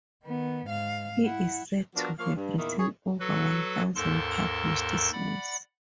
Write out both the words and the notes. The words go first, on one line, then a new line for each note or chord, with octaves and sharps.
He is said to have written over one thousand published songs.
D#3 B3
G#2 F5
E4 F#5
F3 B3 D4 F#4 A#4
F3 A#3 C#5 F5
G2
E2 A#2 D#3 A#3 E4
G#4 C#5
F#3 F#4 A4 B4
D#2 G#2 A4 A#4 A5 C6
D5 F#5 B5